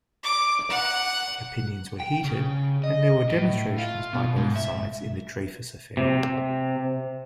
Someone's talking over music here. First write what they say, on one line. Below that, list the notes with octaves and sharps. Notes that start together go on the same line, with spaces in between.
Opinions were heated and there were demonstrations by both sides in the Dreyfus affair.
D6
F#5
G5
C#3
D#5
A2
F4
B2
G#2
E5
C3